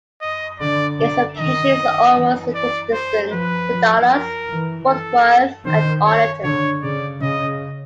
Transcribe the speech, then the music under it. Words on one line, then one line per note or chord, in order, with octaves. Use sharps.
Its location is almost equidistant to Dallas, Fort Worth, and Arlington.
D#5
D3 D5
D3 D5
D#3 D#5
E3
D5
C5
F3 B4
F3
A#4
E3
A4
D#3 C5
C#5
D3 C#5
C#3 D5
C#3 D#5